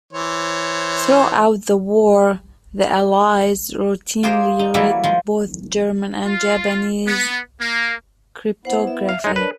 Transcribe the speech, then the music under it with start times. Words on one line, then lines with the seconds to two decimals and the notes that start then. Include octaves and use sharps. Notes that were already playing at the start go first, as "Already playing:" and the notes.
Throughout the war, the Allies routinely read both German and Japanese cryptography.
0.13 E3 C5 C#5
4.23 F4 G4 G#4 A#4 C5
4.59 D#4
4.74 E3 F#3 G3 A3 A#3 E4
5.04 F3 G#3
6.25 F4
7.08 B3
7.60 A#3
8.65 B3 E4 C5 F#5
8.87 E5
9.09 F5
9.24 D2 A2 G#3 D#4 A#4 C#5
9.36 D4 B4